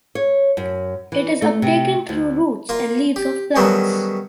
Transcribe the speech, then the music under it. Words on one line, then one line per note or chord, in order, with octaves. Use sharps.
It is uptaken through roots and leaves of plants.
C#5
F#2
E3
A3
C3
D2
A#3 F4
G4
D#3 F#3 G3 A3 B3 C#4